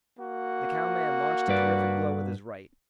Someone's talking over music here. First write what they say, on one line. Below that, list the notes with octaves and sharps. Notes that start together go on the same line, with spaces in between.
The cowman launched a terrific blow with his right.
A#3 F#4
G2 B4 D5